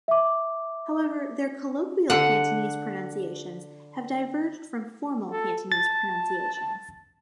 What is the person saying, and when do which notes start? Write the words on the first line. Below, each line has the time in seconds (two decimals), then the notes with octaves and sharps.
However, their colloquial Cantonese pronunciations have diverged from formal Cantonese pronunciations.
0.08 E5 D6
2.10 D3 F#5
5.31 A4
5.72 A5 A6